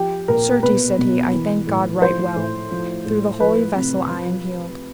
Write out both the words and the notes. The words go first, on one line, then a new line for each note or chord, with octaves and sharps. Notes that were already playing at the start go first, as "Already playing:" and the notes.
Certes, said he, I thank God right well, through the holy vessel I am healed.
Already playing: F3 G4
A#2 A#4
B2 B4
B2
E3
A2
F3 C5
A2
F3
A2
F3 B4
C3
F3